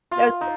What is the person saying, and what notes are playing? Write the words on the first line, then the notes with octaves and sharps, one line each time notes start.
That the
F4
D#4